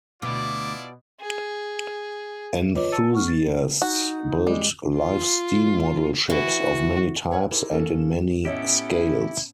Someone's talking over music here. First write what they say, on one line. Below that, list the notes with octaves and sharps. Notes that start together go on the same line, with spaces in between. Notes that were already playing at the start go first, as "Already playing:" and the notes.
Enthusiasts build live steam model ships of many types and in many scales.
D2 G2 B2 E4 F4 D5 D6
G#4
F4 B4 C#5 D#5 D6
A5 E6 A6 C#7 D#7
F#5 C#6 F6
A6
D#4 F#4
G3 G#3
F4
E3 F#4
B4 C#5 F#5 G#5
D#4 E4 G4 G#4 A#4 C5
A#3 C#4 A4 A#4
A2 B3 C#4 E4 G4 A4 C#5 D#5